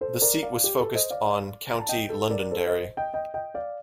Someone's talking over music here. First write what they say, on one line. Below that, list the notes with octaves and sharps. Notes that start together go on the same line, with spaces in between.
The seat was focused on County Londonderry.
A4 C5
A#4 D5
D5 F5
G4
A4
C5 D#5
D5 F5
A#5
A5
D#5 G5
A4
A#4 D5
A4 C5
C5 D#5
D#5 G5
D#5 G5
D#5 G5
D5 F5